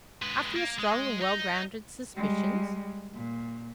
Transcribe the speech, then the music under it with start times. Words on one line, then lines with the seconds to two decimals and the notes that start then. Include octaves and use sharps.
"After your strong and well-grounded suspicions?"
0.22 G#3 B4
0.56 A#3
0.79 G#3
1.21 D#4
2.15 G3 G#3
3.13 A#2